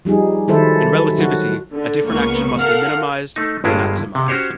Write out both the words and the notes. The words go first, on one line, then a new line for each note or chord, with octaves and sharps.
In relativity, a different action must be minimized or maximized.
F3 G3 D#4 G#4
D#3 F#3 E4 A4 C5
F#3 F#4
D3
C#2 A#3 B3 C#6
A4 A#4 F5 F#5
A3 D#4
G1 G2 G#3 E4 F4
C3
C#4 F#4 G4 C5 C#5